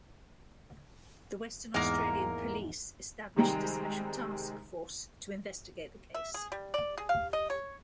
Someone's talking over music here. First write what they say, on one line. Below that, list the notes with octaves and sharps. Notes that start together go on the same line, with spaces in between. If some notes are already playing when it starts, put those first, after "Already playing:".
The Western Australian Police established a special task force to investigate the case.
E2 G#2 G#3 A#3 A#4
C3 D#3 G3 G#3 G5 A#5
E5
G#4
G3
D5
G#4
F5
D#5
C#5